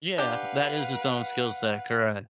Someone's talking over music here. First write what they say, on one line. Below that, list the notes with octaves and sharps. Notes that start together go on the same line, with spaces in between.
Yeah. That is its own skill set, correct.
D4 G4 B4 F5 F#5